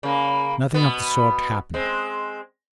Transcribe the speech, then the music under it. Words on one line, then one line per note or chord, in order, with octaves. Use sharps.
Nothing of the sort happened.
C#3 A#3
B2 B3
G#3 C4